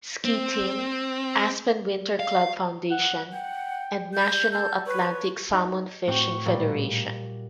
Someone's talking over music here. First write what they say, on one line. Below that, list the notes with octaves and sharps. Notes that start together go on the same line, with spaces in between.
Ski Team, Aspen Winterclub Foundation, and National Atlantic Salmon Fishing Federation.
C4
F5
F#5
F#5 G5
G6
A4 G6
B4 C#5
D#4
A2 C4 F#4 G5 C#6
A#2 G3